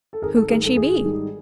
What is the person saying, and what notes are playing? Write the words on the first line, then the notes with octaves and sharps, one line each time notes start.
Who can she be?
A4
G#1 G#4 A#4
A4
G#2 D#3 G3 G#4 A#4
A4
G#1 G#4
G#2 D#3 G3